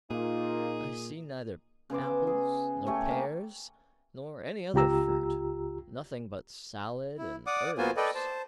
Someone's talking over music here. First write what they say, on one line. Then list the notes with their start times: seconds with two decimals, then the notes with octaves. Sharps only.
I see neither apples nor pears, nor any other fruit, nothing but salad and herbs.'
0.11 A#2 A#3 D#4 F4 G#4
1.90 C#3 B3 C5 D6
2.27 G#4
2.87 A3 G4 C#5 G#5
3.06 A3 A#3
4.74 C#2 F4 G4 A#5 E6
7.18 E4
7.47 D5 F#5 D6 D#6
7.78 A#3 B3 F4 F#4 C5 G#5
7.97 A4 B4 D5 D#5 G5
8.15 C5 A5